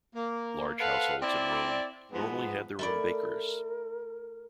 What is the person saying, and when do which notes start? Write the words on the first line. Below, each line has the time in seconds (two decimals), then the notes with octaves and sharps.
Large households in Rome normally had their own bakers.
0.15 A#3
0.79 A4 B4 C5 F5 F#5
1.22 C4 E4 D5
2.12 G#2 F3 B3
2.79 A3 E4 A#4 D5